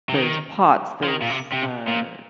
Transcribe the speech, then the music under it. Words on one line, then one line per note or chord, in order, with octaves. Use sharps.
those pots, those, uh,
C3
D#3
F3
D#3
A#2
C3
C3
A#2